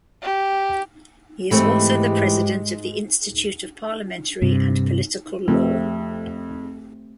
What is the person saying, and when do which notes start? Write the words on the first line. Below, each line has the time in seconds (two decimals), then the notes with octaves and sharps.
He is also the President of the Institute of Parliamentary and Political Law.
0.22 G4
1.51 G#2 E3 G#3 A3 C4 G4
4.42 G2 C3
5.48 F2 A3 C4 G4